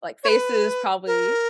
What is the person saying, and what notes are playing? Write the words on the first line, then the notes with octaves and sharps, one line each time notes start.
like faces probably
C#5
B4
A#4